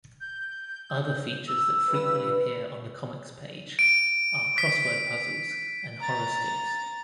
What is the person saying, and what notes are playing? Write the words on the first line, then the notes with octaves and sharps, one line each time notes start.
Other features that frequently appear on the comics page are crossword puzzles and horoscopes.
G6
E6
G2 G4 B4
D7
B6
A#5 A6